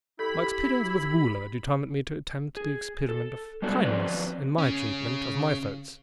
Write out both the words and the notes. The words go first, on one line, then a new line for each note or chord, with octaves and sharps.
My experience with Woola determined me to attempt the experiment of kindness in my treatment of my thoats.
E4 G4 A4 B5
G#4
A4
G3 G#3 B3 D4 F#4 A4
F3 F#3 C4 A4 B4 D5
C#3 C#4